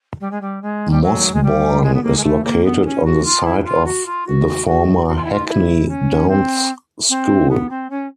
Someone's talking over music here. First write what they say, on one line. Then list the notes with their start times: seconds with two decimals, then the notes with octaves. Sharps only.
Mossbourne is located on the site of the former Hackney Downs School.
0.20 G3
0.31 G#3
0.41 G3
0.62 G#3
0.90 G3
1.02 F#3
1.34 G#3
1.43 G3
1.83 G#3
1.94 B3
2.03 A#3
2.17 G#3
2.23 A3
2.44 A#3
2.64 B3
2.85 C#4
3.04 F#4
3.25 F4
3.44 E4
3.64 F4
3.85 F#4
4.06 F4
4.26 F#4
4.66 F#4
5.07 F#4
5.16 F4
5.24 E4
5.31 F4
5.47 E4
5.88 C#4
6.28 C4
7.09 C4
7.49 B3
7.69 C4
7.90 C#4